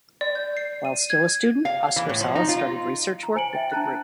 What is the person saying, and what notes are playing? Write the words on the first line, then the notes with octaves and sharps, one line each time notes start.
While still a student, Oscar Sala started research work with the group.
D5
G6
C7
D#7
G#6
F5
E3
A2
F3
D#4
F4
A#5
C5 G#5 C#7 D7 F#7
E5 G5 A6
D4 A5 A#5 F#6
A6